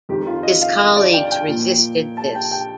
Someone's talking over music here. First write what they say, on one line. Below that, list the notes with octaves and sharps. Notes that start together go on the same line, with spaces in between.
His colleagues resisted this.
F2 D#3 G4
F4
D#5
F5
D#5
D5
G5
G5
A#2 F3
A5
G5
G5